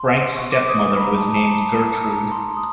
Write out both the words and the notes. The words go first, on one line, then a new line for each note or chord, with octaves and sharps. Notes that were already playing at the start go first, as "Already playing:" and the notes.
Frank's stepmother was named Gertrude.
Already playing: C6
C#6
D6
D#6
B5
A#5
A5
A5
A#5
A5
A5
A#5
C6
D#6